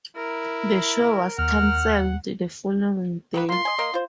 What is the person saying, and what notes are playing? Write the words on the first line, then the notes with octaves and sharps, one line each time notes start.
The show was canceled the following day.
E4 A#4
D#2 F#5 F6
D#3 A#3 B4
A#3 F4 C6
D#5 G#5
A#3 A#4 D#5
F4 C5